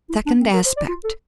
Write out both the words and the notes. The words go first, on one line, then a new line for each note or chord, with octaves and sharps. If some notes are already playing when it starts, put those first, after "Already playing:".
Second Aspect.
E4
D4
C4
A#4
C5
D5
F4
A4